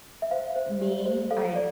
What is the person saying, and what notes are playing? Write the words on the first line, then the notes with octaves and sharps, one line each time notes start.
me, I'd
E5
C5 F5
C5
G4
C5
A4 F5
D5